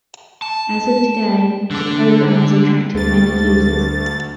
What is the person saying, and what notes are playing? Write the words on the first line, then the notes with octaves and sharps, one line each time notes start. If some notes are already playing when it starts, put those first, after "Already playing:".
As of today, the program has attracted many users.
A5
D3 D4
D2 A6